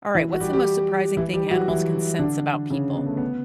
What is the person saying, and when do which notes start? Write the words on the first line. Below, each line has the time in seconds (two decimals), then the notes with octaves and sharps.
Alright. What's the most surprising thing animals can sense about people?
0.15 E3 E4
0.33 F#4
0.40 G3 G4
0.53 G3 G4
1.17 E3 E4
1.34 G3 G4
1.51 F#3 F#4
1.68 E3 E4
2.19 D3 D4
2.70 C#3 C#4
2.96 B3
3.06 A3
3.17 B3